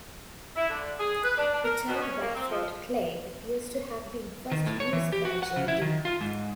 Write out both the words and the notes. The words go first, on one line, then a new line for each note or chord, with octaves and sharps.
The term "Bradford Clay" appears to have been first used by J. de.
E4
D3
G#4
B4
D4
D4
A#4
B2
C#4
A#3
C4
F3
D#3
A2
C#5
E3
G4
F#4
F#5
C#3
E4
D#3
F4
G#2